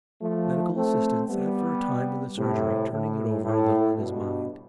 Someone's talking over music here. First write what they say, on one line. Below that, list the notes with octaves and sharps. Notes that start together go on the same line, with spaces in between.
The medical assistant sat for a time in the surgery turning it over a little in his mind.
F3 A3
A3 C4
G3 B3
A2 C3
A2
A2
G2 B2